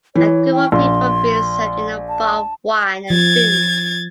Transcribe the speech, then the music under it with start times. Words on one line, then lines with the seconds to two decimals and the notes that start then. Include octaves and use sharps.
A group of people being served in a bar of wine and food.
0.16 E3 C#5
0.52 G5
0.72 A#1 C6
2.08 A5
3.10 F3 G#6 A6